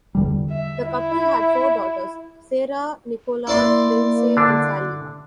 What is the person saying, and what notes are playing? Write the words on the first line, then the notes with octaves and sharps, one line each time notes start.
The couple had four daughters: Sarah, Nicola, Lindsay and Sally.
E2 D3 G3
E5
E4
A#3 E4 D5 C6
D3 D4